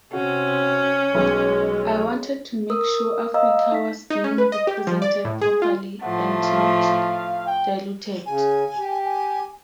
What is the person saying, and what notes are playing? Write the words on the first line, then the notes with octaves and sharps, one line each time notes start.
I wanted to make sure Africa was being represented properly and not diluted.
C3 C#4 F#4
B1 G#3
A#4 D#6 E6
D#5 F5 A#5 D#6 E6
D#4 B6
D#4
C#4
B4
D#5
G4
F3
D5
A2
G#4
F4
A2 F3 A3 F#5
F5
G5
C#3 G#5
G4
G#5